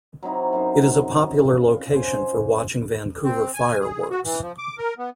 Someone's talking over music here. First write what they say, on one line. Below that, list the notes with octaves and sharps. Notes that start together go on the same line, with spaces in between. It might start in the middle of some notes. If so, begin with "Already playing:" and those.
It is a popular location for watching Vancouver fireworks.
F#3 C4 D#4 E4
F#2 F#3 D#4 C5
F4
C#4 C5
C4
G#5
G#4
F#4
E3
F3
D6
A#4
B3